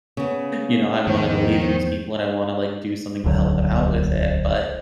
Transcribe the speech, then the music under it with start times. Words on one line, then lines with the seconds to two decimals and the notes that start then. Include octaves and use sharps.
you know, I wanna believe in these people, and I wanna, like, do something to help them out with it. But
0.17 C#3 B3
1.07 E2 G#2 D#3 F3 C5
3.24 D#1 C#2 D3 F#3